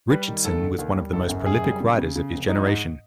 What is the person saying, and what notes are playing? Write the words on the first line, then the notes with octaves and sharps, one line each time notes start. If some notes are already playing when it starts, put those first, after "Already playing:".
Richardson was one of the most prolific writers of his generation.
G3 B4
D#3
D#2 A4
D3
D#2
G3
F#1 A4
F#2
F#1 G#4
G3
C#3
C#3
C#3
F1
F3 D#4
G#2